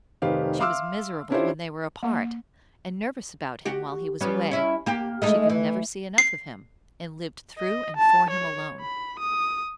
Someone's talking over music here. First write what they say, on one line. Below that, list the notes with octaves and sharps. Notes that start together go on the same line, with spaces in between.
She was miserable when they were apart, and nervous about him while he was away; she could never see enough of him, and lived through and for him alone.
F1 D#3 G4 B4 C5 F5
E5 F5 C6 D6 E6 F6
C#4 D4 E4 F4 G4 C5
A#3
F#4 G4
G3 B3 C#4
C#4 E4
A#3 G4
G#3 A3 D#4
E3
C7
D#5
A5
C#5
B5
D#6